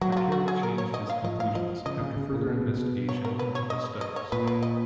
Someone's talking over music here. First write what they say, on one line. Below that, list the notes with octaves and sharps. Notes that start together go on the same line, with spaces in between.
But Carroll changed his conclusions after further investigation into the studies.
F#3 F#4
F#4
F4
F#4
G#4
A#4
C#5
D#5
F5
F3 D#5
F5
F3 D#5
C#3 D#5
C#3
C#3
A#2
B2
B2
C#5
A#4
B4
C#5
D#5
D#5
C#5
A#2 B4
B4
D#5